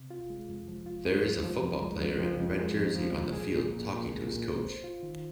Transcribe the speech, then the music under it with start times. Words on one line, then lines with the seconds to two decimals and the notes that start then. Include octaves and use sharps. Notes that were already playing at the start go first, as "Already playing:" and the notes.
There is a football player in a red jersey on the field talking to his coach.
Already playing: C3
0.10 F4
0.30 G#3
0.49 F2
0.68 F3
0.86 F4
1.05 G#3
1.24 F2
1.43 F3
1.63 F2
1.82 G#3
2.01 F2
2.19 F3
2.38 F2
2.57 G#3
2.76 F2
2.95 F3
3.14 A#2
3.33 G#4
3.51 A#2
3.71 A#3
3.89 A#2
4.08 G#4
4.27 A#2
4.46 A#3
4.65 C5
4.84 F4
5.03 D#3